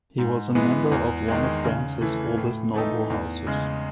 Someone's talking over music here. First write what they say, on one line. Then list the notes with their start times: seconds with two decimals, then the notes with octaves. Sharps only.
He was a member of one of France's oldest noble houses.
0.18 G#2
0.55 E3 G#3 B3
0.92 E2
1.28 D#3 G#3
1.65 C#3
2.01 E3 A3
2.37 A2
2.74 E3 A3 D#4
3.10 E2
3.47 C#3 G#3